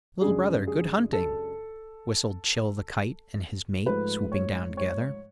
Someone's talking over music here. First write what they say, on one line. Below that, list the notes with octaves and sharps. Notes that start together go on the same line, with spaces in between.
"Little Brother, good hunting!" whistled Chil the Kite and his mate, swooping down together.
F#2 C#3 G#3 D4 G#4
G#4
A4
G#2 F3 A3 B4
C#5
C#5